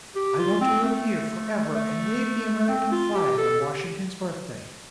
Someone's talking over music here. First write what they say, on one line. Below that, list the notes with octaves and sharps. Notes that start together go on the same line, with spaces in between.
I want to live here for ever and wave the American flag on Washington's birthday.
G4
F4
C4
A3
A3
C4
F4
G4
A4
G4